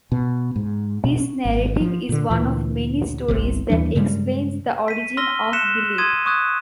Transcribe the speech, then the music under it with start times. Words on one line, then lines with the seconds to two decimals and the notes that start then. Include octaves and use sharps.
This narrative is one of many stories that explains the origin of Gelebe.
0.12 B2
0.56 G#2
1.04 B2
1.20 C#4
1.45 G#1
1.80 F3
2.09 A#2 D3
2.30 D2 A#2 E3
3.28 G1 C2 C3
3.70 D#2 E3 G3 D4
3.95 G2 C#3 G3 G#3
4.88 B6 D#7
5.17 C6 E6 F6 A#6 G7
5.53 F#6 B6 C#7 E7
5.98 C6 D#6 G#6 D#7
6.26 C#6 D#6 F#6 G#6